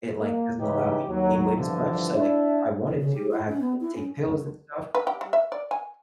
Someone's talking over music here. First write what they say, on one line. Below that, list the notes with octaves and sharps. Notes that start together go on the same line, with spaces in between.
it, like, doesn't allow me to gain weight as much, so, like, if I wanted to, I have to, like, take pills and stuff,
A#3
A1 C#3 E3 D#4 G4 B4
D#2 F#3
G2 D3 E3 F3
D4 E4
C#3
G4
E4
C#4
B3
E4
C#4
B4
G4
G3
E5
D5
G#5